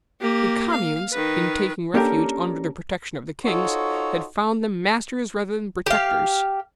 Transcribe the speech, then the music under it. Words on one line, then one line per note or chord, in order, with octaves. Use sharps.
The communes, in taking refuge under the protection of the kings, had found them masters rather than protectors.
A#3 G4
F5
D#3 B4
A#3 C#4 D4 G4 A4 A#4
D#4 F4 F#4 A4 C5 C#5
G4 F5